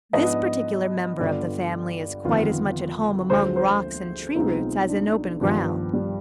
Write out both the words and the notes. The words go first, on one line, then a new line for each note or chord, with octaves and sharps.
This particular member of the family is quite as much at home among rocks and tree roots as in open ground.
G#2 F3 B3 D4 D#5
G2 D3 G3 B3 F4 D5
G1 F2 D#3 B3 F4
D2 D3 F3 G#3 C5
C5
B1 B2 G#3 C4 D#4 F4
D4
G2 D#3 F3 B3 D4 G4
G3